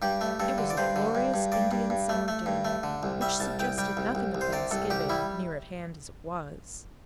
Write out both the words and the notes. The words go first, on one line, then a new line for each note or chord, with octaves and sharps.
It was a glorious Indian summer day, which suggested nothing of Thanksgiving, near at hand as it was.
G2 G4
A3
G2 A4
D3
D5
G2 C5
D3
G2
G2
G2 D5
G2
G2
A3
A3
G2
A3
D3
C2
G3 E5
C2 A5
C2 G5
G3 G5
C2
C2
C2
C5
C3 D5
C2 A4
C2 G4
G3 E4